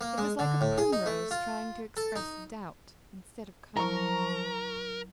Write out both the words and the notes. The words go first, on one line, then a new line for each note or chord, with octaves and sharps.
It was like a primrose trying to express doubt instead of confidence.
A#3
G#3
D3
A2
G#4
D#4
A3
F4
A4
D#4
F3 F#3 E4 A#4 A#5 C#6